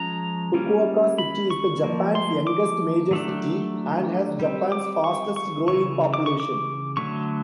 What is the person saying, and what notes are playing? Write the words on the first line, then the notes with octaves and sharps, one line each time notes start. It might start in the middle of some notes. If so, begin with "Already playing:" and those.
Fukuoka city is the Japan's youngest major city and has Japan's fastest growing population.
Already playing: F3 G#3 C#4 A#5
G3 A#3 C#4
B5
C#6
F3 A#3
C6
D6
F#3 A3 D4
G3 C4
D6
C#6
C#6
C#3 E3 C#6
D6
C#6
D6
D3 F#3 A3 C#6